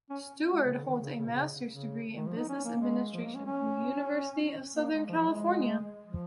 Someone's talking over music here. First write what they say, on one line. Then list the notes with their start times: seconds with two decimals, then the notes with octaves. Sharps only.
Seward holds a master's degree in business administration from the University of Southern California.
0.10 C#4
0.53 G#3
0.65 C#3
0.75 C#3
0.85 D#3
1.02 C#3
1.19 C#3
1.26 A#2
1.35 C#3
1.67 C#3
2.16 D#3
2.27 F3
2.38 D#4
2.49 C#4
2.64 A#3
2.81 G#3
3.13 F3
3.24 A#3
3.35 C#4
3.46 C#4
4.76 A#3
4.92 G#3
5.09 F3
5.19 F3
5.30 G#3
6.06 F3